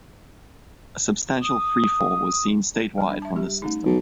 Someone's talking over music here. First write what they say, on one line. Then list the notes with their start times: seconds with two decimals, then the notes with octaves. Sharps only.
A substantial tree fall was seen statewide from this system.
1.42 D#6
2.98 G3
3.10 D4
3.22 E5 A5
3.35 G3 G4
3.62 A3 C#4 D#4
3.85 B1